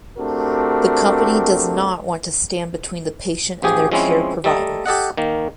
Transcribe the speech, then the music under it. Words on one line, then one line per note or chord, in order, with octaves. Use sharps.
The company does not want to stand between the patient and their care providers.
A3 C4 D4 F#4 G4 A#4
A1 F3 G4 G#4
F3 G#3 C4 C#4 E4
G3 A3 A4 D#5 A#5
G4 A4 D#5 F#5
D#3 A#3